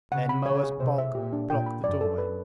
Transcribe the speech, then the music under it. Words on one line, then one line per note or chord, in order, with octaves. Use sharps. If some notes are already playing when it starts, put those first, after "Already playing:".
Then Moa's bulk blocked the doorway.
C#3 F#5
B5
C#3 C#5
G#4
C3 C5
E5
A#2 G4
D4
A#2 G5
B5
F#2 D5
A4
B4